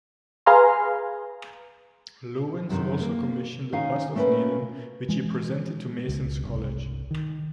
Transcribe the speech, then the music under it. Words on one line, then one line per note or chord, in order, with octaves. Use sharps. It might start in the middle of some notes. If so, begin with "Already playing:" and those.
Lewins also commissioned a bust of Naden which he presented to Mason's College.
G#4 B4 F5 G#5 A#5 C6
F#2 C3 D#3
A#3
D#3 C#4 D#4 C#5 F5 G#5
A3 A#3 C#4 A#4 B4 G#5
E3 G#3
C#2
G1 C2
D#3